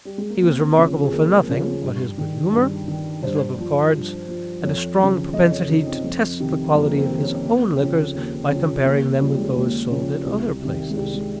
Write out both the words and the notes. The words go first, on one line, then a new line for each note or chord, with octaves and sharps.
He was remarkable for nothing but his good-humor, his love of cards, and a strong propensity to test the quality of his own liquors by comparing them with those sold at other places.
G3
G#3
A#3
D#2 C4
C#3 F3
G#4
D#2 A#4
C#3 F3
G2
D#3
G2
D#3
G2 C5
F3
G2
F3
F2 C#5
C#3 F3
F2 D#5
C#5
C#3 F3 D#4
C4
F2
C3 D#3
F2 A#3
C4
C3 D#3
C#4
D#2 C4
C#3 F3
D#2
C#3 F3
D#2 A#3
C#3 F3 G3
G3
G#3
D#2 G#3
C#3 F3
C2
C3 D#3
G#3
C2 G3
G#3